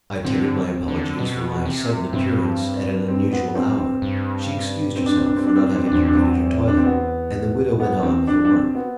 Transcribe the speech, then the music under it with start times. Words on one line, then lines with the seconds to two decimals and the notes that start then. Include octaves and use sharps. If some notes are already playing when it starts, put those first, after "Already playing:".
I tendered my apologies for my sudden appearance at an unusual hour; she excused herself for not having completed her toilet, and the widow went on with her work.
0.24 D3 C4
0.88 D3
1.19 B2
1.66 C3
2.13 G2 C4
3.08 C4
3.32 B3
3.55 C4
3.78 C4
4.02 G2
4.96 C4
5.06 D4
5.16 C4
5.26 D4
5.37 C4
5.47 D4
5.56 C4
5.66 D4
5.76 C4
5.87 D4
5.92 E2 C4
6.06 D4
6.15 C4
6.68 D4
6.77 C4
6.85 B3
7.80 B3
8.03 C4
8.27 D4
8.45 D4
8.51 C4
8.75 B3